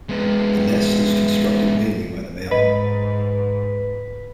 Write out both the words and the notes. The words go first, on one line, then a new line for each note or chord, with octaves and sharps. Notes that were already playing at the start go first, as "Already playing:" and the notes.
The nest is constructed mainly by the male.
G#3 B3
G#2 B4 D#5